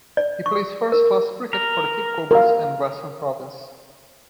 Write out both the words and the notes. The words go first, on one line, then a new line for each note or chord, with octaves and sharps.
He plays first-class cricket for the Cape Cobras and Western Province.
D5
C#6
A#4
A#4
A#4 F5